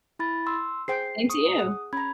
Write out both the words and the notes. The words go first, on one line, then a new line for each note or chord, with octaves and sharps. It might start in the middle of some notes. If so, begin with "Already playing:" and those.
Same to you.
E4 B5 A6
C6 E6
G#4 C5 G5 C7
C#6 D#6
G#4 F#5
C#4 A#5 B5 G#6